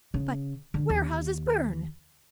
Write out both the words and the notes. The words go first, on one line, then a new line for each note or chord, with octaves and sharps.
"But warehouses burn."
C#3
D3
D#2